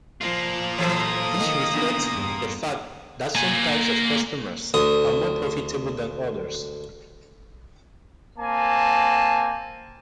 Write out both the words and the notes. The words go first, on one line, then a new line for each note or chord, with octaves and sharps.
This reflects the fact that some types of customers are more profitable than others.
F3 A#3 F4
A#1 E3 F#3 A4 C5 D#6
D#3
C#3 E3 B3
E2 G2
A#3 G#5
D2 D#6
A#3 C4 G#5 A5